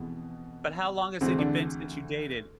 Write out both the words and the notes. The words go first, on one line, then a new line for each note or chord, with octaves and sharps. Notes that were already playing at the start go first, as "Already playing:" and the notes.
but how long has it you've been since you dated?
Already playing: F2 B2 E3 G#3 B3
D2 C3 E3 G#3 C4
D3 D4